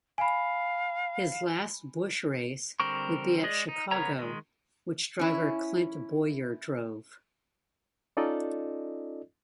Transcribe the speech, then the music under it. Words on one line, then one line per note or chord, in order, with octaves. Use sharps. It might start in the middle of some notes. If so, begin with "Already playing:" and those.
His last Busch race would be at Chicago, which driver Clint Bowyer drove.
F5 G#5 B5
D3 G3 C4 A#4 C#6
G#3 G#4 D5 D#5
D#4
C#3 B3 A#4 C#5 A#5
D#3 G#3
C#4 E4
C#4 D#4 F4 A4 D5 D#5